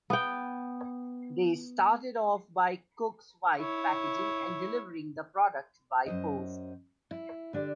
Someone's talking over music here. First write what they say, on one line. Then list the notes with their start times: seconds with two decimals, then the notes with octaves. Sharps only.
They started off by Cooke's wife packaging and delivering the product by post.
0.10 B3 G5
3.57 E4 C#5
6.06 F#2 C3 C5 D#5
7.11 E4
7.53 D3 D4 G4 D5